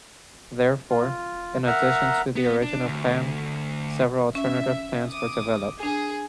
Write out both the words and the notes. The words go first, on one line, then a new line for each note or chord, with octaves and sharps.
Therefore, in addition to the original plan several alternative plans were developed.
F4
A#4 E5 F#5 A#5
B3
D4
D2
C#4 E5
D6 D#6
D4 G#4